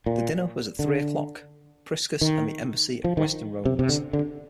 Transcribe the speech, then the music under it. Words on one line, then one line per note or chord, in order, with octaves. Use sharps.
The dinner was at three O'clock; Priscus and the embassy of Western Romans.
A#2
D3
D#3
F3
D#3
C3
C3
D3
D3